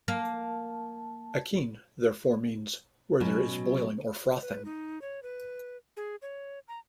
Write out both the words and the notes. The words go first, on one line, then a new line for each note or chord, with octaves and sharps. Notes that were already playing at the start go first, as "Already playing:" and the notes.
Akean therefore means "where there is boiling or frothing".
A#3 A5
B2 F#3 C#4
B4
D#4
C#5
B4
G#4
C#5
A#5